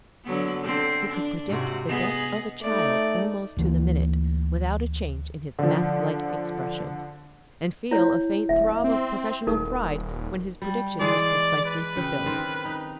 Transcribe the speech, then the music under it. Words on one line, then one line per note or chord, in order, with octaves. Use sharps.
He could predict the death of a child, almost to the minute, without a change in his mask-like expression, and feel a faint throb of professional pride when his prediction was precisely fulfilled.
D3 F#3 B3
D3 C4
D4
G#2 C3 F#4
B3 G#4 D#5
A3 D#4 D5
D2 E3 A#3
D3 F3
E4 C#5
D1 E5
C4
D#1 D#4 A#4
G3
E3 G#3 G#4 D5
B4
C#3 G4
D#3 C4
D#4